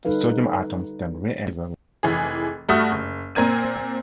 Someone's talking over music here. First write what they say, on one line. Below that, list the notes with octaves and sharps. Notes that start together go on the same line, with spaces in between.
The sodium atoms then re-emit the laser light, producing a glowing artificial star.
D3 G3 D#4 A4 B4 F5
F1 E3 G#4
G2 A3 F#4 D#6 F6
F#1
A#2 C4 A#4 G#6 D#7